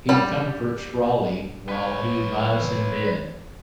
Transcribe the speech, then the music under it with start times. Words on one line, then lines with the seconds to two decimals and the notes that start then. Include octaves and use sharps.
He comforts Raleigh while he lies in bed.
0.09 G3 B5
1.69 B4 C#5